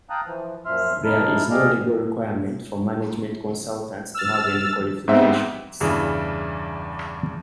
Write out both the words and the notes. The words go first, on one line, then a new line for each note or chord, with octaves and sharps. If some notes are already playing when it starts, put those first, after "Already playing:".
There is no legal requirement for management consultants to have any qualifications.
F5 G5 A5 A#5 D#6 F#6
E3 F3
F#2 A#2 F3 E5 C6 F6
A3 D#4 E4 A5 F6
G4 G#4 D5 D#5 F5 F6
E6 F6 A6
G#2 B3 C4 E5
E2 G2 C#3 E3 D4